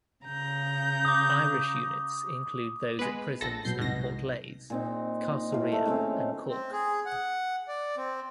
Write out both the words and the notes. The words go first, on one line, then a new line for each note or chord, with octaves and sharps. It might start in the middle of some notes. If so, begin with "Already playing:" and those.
Irish units include those at prisons in Portlaise, Castelrea, and Cork.
C#3 A#5 G6
D6 D#6
G#3 B3 B4
A#1 A4 A#6
B2 F#3 B3 G6 C7
C2 G#2 B2 A#6
A#2 C4 D#4
D#4
A2 F5
A3 A4 A#4
D#3 A3 C4 C#4
C4
G#4
F#5
D5
C4